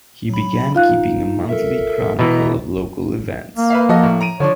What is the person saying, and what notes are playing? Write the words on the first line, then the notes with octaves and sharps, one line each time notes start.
He began keeping a monthly chronicle of local events.
F#3 B5
D#4 F4 F5 F#6
A4 A#4 E5
B2 E3 D#5 E5 A#5
A#3
B4 E5 F5
F3 F#4 A4 D#5
A2
A#5 D7 D#7
D3 F3 D4 C#5